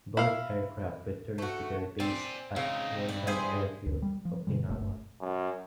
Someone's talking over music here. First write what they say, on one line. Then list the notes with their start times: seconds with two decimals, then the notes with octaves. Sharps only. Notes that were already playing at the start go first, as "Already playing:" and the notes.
Both aircraft returned to their base at Yontan Airfield, Okinawa.
0.17 E4 F5
1.38 A3 F#4
2.00 C4 D5 G#5
2.56 C#3 C4 D#4
3.09 G2 D5
3.27 E4 G#4 C5
3.86 D2
4.02 G3
4.25 F3
4.47 B2 D3 G3
4.68 D1 G1 G2 A3
5.21 F#2